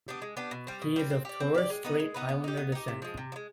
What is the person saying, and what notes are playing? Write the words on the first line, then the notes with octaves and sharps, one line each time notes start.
He is of Torres Strait Islander descent.
B3 D4 G4
G#3
B3 D4 G4
B2
G3 C4
B2
G3 C4
C4
G4 D5
C4
G4 D5
G#3
B3 D#4 B4
G#3
B3 D#4 B4
B3
D#4 G4
B3
D#4 G4
C3
F3 G#3
C3
F3
G#3